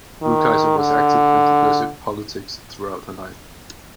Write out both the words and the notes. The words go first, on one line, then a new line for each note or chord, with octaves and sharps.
Rukeyser was active in progressive politics throughout her life.
D#3
D3